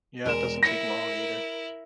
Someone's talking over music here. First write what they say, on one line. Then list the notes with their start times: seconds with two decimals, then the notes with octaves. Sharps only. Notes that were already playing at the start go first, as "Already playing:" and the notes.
Yeah, it doesn't take long, either.
0.25 E1 G#3 A#4 E7
0.63 E4 A#4 A#6 C#7